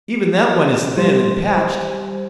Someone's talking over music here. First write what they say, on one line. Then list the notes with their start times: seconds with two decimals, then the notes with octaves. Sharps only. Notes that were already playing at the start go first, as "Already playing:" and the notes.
Even that one is thin and patched.
0.97 G3 C5